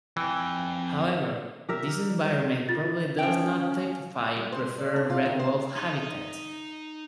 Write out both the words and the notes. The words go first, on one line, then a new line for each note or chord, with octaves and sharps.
However, this environment probably does not typify preferred red wolf habitat.
F2 E3 G5
G4 A#4 E5
F4 A6
F3 C#4 G5
G3
C5
D5
D4
F4
D#3
C5
D#4 A#5